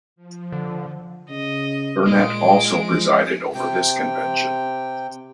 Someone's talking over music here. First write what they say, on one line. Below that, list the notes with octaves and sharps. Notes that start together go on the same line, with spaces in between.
Burnett also presided over this convention.
F3
D3
C#3 D#5
A#2 G#3 D#5 D7
F3
C3 G5